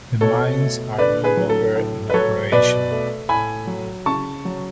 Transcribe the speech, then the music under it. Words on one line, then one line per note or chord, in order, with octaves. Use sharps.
The mines are no longer in operation.
B2 A4 C#5
A3
D3 B4 D5
G#4 B4
F#3
A4
A2
B4
F#3 A4 C#5
B2 B4 D5
A3
A2 G#5 B5
F#3
C#3 A5 C#6
F#3